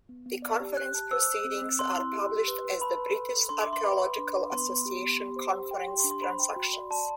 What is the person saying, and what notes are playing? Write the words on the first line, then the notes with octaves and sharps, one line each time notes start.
The conference proceedings are published as the "British Archaeological Association Conference Transactions".
B3
B3
D5
G4
G4 F#6
A5
C5 E6
C5
C4
C4
C4 C6
E4
G4
G4
B4
B4
A5 B5
B4
A4
A4
D4 C6
D6
E5
C6
B4 B5
B4
D4
B4
B3 C6
B3
G4
B3
G4
C5
G4
G5
G4 C6
C6
D4
C6
C5 B5
G5
F#4
D5
D5 A5